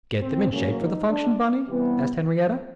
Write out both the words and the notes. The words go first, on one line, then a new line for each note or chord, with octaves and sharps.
"Get them in shape for the function, Bunny?" asked Henriette.
C4
D2 C#3 F#3 A#3 C#4
D#4
D4
C3 E3 G3 B3